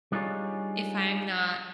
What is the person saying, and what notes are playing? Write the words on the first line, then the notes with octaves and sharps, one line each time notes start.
if I'm not
G3 D4 D#4 F4 G#4 C#5